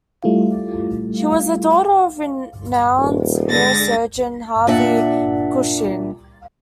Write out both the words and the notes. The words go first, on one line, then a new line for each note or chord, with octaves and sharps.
She was the daughter of renowned neurosurgeon Harvey Cushing.
G3 A3 E4 F4
D#1
D3 G#3 A6 A#6
A#2 D4 E5 F#5